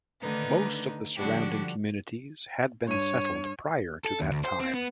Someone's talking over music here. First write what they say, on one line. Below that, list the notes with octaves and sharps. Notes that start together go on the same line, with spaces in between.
Most of the surrounding communities had been settled prior to that time.
D3 D#3 A3 D4 D#4 B4
D3 F3 G3 D4 F#4 G4
G2 C#5 D#7
A4
D#2
D2
C5
C4
B3